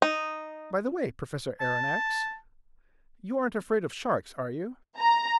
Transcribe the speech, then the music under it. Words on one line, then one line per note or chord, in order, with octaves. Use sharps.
"By the way, Professor Aronnax, you aren't afraid of sharks, are you?"
D#4
A5
A#5